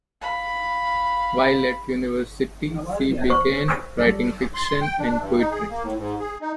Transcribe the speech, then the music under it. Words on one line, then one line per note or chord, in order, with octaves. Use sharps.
While at university she began writing fiction and poetry.
F5 B5
C5 C#6
G3 A4 D5
C6
G5
D4
G2
D#4
G#4
A#3
A2
G#2
G#4
D#4